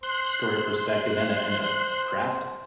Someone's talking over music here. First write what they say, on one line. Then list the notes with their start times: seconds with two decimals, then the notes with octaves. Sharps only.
story perspective and a and a craft.
0.03 C5 C6 F#6